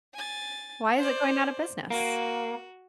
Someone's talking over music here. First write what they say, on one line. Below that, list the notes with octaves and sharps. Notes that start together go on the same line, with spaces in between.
Why is it going out of business?
G#5 A6
C5 D5
A#3 F#4